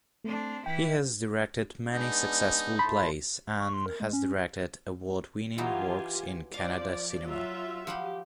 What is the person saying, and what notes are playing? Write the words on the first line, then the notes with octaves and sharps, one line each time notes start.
He has directed many successful plays and has directed award-winning works in Kannada cinema.
A3 C4 D4
E3 E4 G5 B6
G#3 B3 D4 D#4
A2 A5 B5 C6
C#6
C6
A#4
G#3
C#4
E3 F#3 D#4 F4 G4 G#5
F3 D5 F5
F#3 F4 E5
F3 G4 F#5 B5